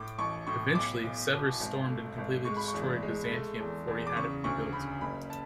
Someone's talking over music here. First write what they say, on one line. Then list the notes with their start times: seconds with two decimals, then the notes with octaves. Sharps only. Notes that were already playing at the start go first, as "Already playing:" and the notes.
Eventually, Severus stormed and completely destroyed Byzantium before he had it rebuilt.
Already playing: A2 D6
0.19 A1 C#6
0.47 A2 C#6
0.75 B1 D6
1.04 B1
1.33 B2
1.60 G#1
1.89 A3
2.18 G#1
2.45 G#3 C#6
2.57 B5
2.68 C#6
2.74 E2
3.03 G#3
3.31 A3
3.60 E2
3.88 E2
4.07 D6
4.16 C#3 C#6
4.44 D2 C#6
4.73 C#3 B5
5.01 F#1 B5
5.30 A5